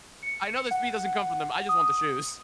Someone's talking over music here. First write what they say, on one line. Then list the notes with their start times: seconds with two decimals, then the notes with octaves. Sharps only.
I know the speed doesn't come from them. I just want the shoes.
0.23 C#7
0.71 F#5
1.69 D#6